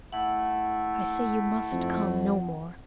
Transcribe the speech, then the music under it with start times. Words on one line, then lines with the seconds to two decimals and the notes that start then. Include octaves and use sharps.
I say you must come no more.
0.12 A3 E4 F#5
1.72 F2